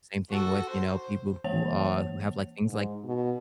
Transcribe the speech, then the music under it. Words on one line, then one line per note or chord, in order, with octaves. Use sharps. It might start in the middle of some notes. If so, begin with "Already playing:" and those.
Same thing with, you know, people who, uh who have like things like
F#4 A4
C5
E3 A#3 C#5 A5 F7
G#2
B2